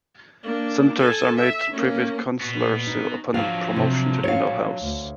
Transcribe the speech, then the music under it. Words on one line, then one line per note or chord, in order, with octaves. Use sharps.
Senators are made Privy Counsellors upon promotion to the Inner House.
A#3 D4
A4 G#5
E5
A#3 C#4
A#2 B3 F#4
D#4
F3 F#3 D4 F5
C3
C#5 F5
D2